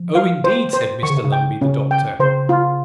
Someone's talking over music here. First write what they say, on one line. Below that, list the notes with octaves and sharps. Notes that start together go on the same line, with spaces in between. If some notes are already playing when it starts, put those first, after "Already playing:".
'Oh, indeed!' said Mr Lumbey, the doctor.
Already playing: F3
F5
C5
C5
D#3 C#6
C#3
C3
C#3
G5
C#3 C#4
G5
C#3 C5
F4